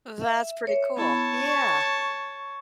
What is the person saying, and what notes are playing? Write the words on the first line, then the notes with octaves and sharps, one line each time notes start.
That's pretty cool, yeah.
E5
A#4 C#5 E5
B3 E4 C#5 A5 B5
C#6